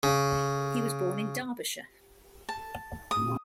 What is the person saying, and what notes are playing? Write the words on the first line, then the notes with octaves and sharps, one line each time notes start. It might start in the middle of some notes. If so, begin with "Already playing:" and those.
He was born in Derbyshire.
C#3
A5
D#6